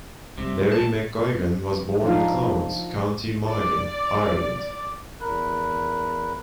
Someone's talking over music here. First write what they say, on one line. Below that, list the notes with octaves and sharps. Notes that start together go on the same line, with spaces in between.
Barry McGuigan was born in Clones, County Monaghan, Ireland.
C3 G3
A5
F3 D4 D#4 F5
D5
E2 A#4 B5 F#6